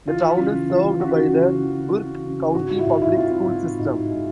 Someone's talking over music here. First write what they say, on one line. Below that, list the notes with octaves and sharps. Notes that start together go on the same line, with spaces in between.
The town is served by the Burke County Public Schools system.
E3 F4
C#3
E3 F4
C#3 F#4
C#3
E3
C#3
C#3
G#2 F#4
F4
E4
G#2 F4
E4
C4 F4
G#2
G#2
G#3